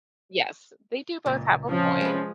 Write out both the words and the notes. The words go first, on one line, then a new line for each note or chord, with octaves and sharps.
Yes, they do both have a point.
C#2 A#2
C3 F3 C#4
G#3 B4